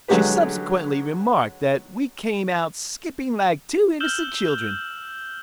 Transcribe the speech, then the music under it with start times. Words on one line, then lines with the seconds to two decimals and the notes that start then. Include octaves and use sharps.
She subsequently remarked that we came out skipping like two innocent children.
0.08 D3 F#3 G#3 G4 B4
4.00 E6 F6 G6 E7 F#7 G7